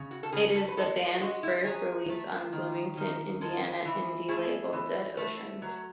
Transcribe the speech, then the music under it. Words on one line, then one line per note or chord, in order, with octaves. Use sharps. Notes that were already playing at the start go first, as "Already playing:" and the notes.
It is the band's first release on Bloomington, Indiana indie label Dead Oceans.
Already playing: C#3
F#4
A4
C#3 G#4
A4
B4
G#3 A4
G#3 F#4
E4
F#3 G#4
A3
D#3
D#3
G#3 A4
E3
A3 G#4
E3
A3
F#3